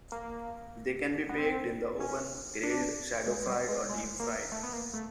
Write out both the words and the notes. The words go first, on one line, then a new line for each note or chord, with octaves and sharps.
They can be baked in the oven, grilled, shallow fried, or deep-fried.
A#3
B3
C4
C#4
D4
G#3
G3
G#3
G#3
A#3
A3
B3
A#3
A3